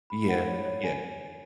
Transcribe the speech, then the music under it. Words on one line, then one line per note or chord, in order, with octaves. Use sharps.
Yeah, yeah.
B5
F#5
C#5
C#5
G#5